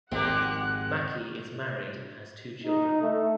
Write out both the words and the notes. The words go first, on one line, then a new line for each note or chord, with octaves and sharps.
Mackie is married and has two children.
G#1 F2 G#3 C4 G4 A#4 F#5 F#6
D#4
A3